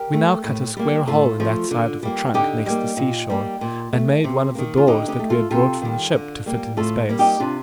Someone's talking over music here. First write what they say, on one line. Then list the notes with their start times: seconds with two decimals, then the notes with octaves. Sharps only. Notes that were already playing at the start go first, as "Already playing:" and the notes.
We now cut a square hole in that side of the trunk next the sea shore, and made one of the doors that we had brought from the ship to fit in the space.
Already playing: G4 A#4
0.13 A3
0.44 A2
0.77 G3 A#3
1.07 A2 F4 A4
1.40 F3 A3
1.71 D3
2.03 G3 A#3
2.34 D3 D#4 G4
2.66 G3 A#3
2.97 A#2
3.30 G3 A#3
3.61 A#2
3.93 A3
4.24 C3
4.55 D#3 A#3
4.77 F4
4.87 D3 D#4 G4
5.08 D#4 G4
5.19 A3
5.30 F4 A4
5.51 C3 F4 A4
5.82 D#3 G3
6.14 D3
6.46 G3 A#3
6.77 A2 F4 A4
7.09 G3 A#3
7.19 D#4 G4
7.40 C3 D4 F4